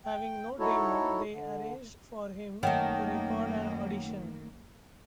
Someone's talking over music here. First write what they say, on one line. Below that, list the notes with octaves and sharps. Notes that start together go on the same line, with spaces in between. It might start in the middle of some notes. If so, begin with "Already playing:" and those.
Having no demo, they arranged for him to record an audition.
G5
D#4 E4 F#4 A4 C#5
D3
F#2 D#3 A3 A#3 C#5 F#5 G5